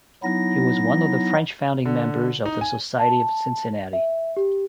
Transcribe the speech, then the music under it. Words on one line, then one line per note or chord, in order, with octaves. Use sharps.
He was one of the French founding members of the Society of Cincinnati.
F#3 B3 D#4 E4 A#6
D3
D#4
G#5
A5
E5
G4